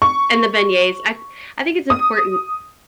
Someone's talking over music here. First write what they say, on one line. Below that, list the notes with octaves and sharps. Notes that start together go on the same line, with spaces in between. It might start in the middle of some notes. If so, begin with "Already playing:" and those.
And the beignets. I I think it's important
C#6
D#6